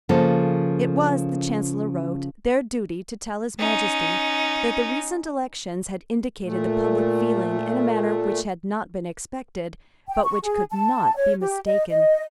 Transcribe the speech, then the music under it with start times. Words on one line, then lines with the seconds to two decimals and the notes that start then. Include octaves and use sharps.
It was, the Chancellor wrote, their duty to tell His Majesty that the recent elections had indicated the public feeling in a manner which had not been expected, but which could not be mistaken.
0.09 C#3 F3 A#3 A4
3.59 C#4 D#4
6.44 A#2 A3
10.09 G5
10.24 C#6
10.44 G#4
10.71 A5
11.16 C#5
11.40 G4
11.66 D#5
11.90 D#5